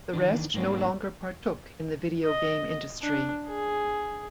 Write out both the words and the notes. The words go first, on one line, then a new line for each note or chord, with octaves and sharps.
The rest no longer partook in the video game industry.
D#3 E3 D4
G#2 A#3 C4 D4 F#4
D#5
D4
G#4